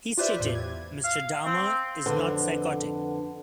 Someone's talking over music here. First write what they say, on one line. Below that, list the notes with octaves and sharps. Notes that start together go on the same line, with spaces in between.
He stated, Mr. Dahmer is not psychotic.
F4 G4 B4 C5 D5 E5
E2 A2
G#6
F5
C4
F2 D3 A4 B4 F#5